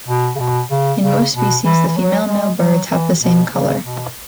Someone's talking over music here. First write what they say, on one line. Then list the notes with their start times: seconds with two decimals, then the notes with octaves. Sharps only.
In most species, the female and male birds have the same color.
0.08 B2
0.35 C#3
0.40 B2
0.71 C#3
1.03 C#3
1.34 B2
1.64 E3
1.87 E3
1.96 F#3
2.28 G#3
2.58 F#3
2.90 E3
3.22 B2
3.53 C#3
3.84 B2